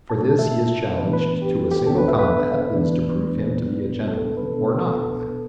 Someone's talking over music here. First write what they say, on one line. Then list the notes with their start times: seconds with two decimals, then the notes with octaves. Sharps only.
For this he is challenged to a single combat that is to prove him to be a gentleman or not one.
0.10 B2 A3 D4 A5
0.25 A5
0.39 E5
0.98 A2 E3 B3 D4 B4
1.13 B4
1.42 G4
1.71 G4
1.86 D2 D3 B3 D4 A4
1.98 B4
2.08 E5
2.19 B4
2.31 B4
2.75 E2 E3 B3 D4
3.63 B2 G3 B3 D4
4.08 A4
4.37 B4
4.51 B2 B3 D4 A4
4.65 B4
4.81 A4